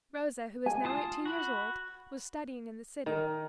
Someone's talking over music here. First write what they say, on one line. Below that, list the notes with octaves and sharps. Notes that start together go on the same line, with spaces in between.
Rosa, who was now eighteen years old, was studying in the city.
G#5
F4 A5 D#6
F#4 B5
D#3